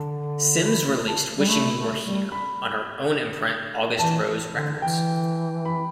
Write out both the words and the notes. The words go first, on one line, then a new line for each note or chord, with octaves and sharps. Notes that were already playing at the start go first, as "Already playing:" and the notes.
Sims released "Wishing You Were Here" on her own imprint, August Rose Records.
Already playing: D3 A5
B5
A5
G3
A3 B5
A3
G3
B5
E3 A5
D3
E3 G5
B5